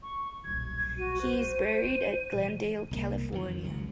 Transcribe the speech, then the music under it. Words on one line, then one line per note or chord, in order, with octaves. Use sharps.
He is buried at Glendale, California.
C#6
D#1 B1 G#6
F#4 D#7
C5
D#4
B2 E3
C2 G#3 A#3
F2 D#3 E3
C#2 F#3